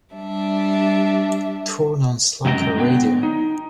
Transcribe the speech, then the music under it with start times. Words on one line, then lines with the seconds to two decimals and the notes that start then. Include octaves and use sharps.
Turn on Slacker radio.
0.14 G3 D4 E5
2.45 F#2 F#3 G#3 G5 G#5 A#5
2.77 D3 F#3 B3 G5
3.23 D#4